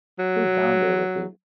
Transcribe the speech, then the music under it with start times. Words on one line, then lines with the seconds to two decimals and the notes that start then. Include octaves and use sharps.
Who's down there with you?
0.19 F#3